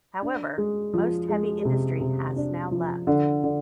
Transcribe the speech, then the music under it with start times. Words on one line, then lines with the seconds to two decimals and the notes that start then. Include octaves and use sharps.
However, most heavy industry has now left.
0.22 D4
0.58 G#3
0.94 F3
1.29 G#3
1.65 C3
2.01 C3
2.36 D4
2.72 F3
3.07 D3
3.44 D3